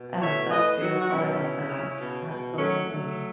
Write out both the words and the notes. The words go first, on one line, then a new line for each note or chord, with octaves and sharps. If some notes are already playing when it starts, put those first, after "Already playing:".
Uh, that's beautiful I love that, absolutely,
Already playing: B2
A2 C#5 E5
A2 B4 D#5
F#3 D#4 F#4
F#4
B2 C#4 E4
C#3
C#3
B2
B2
F#3 A3 C#4
F#3 A3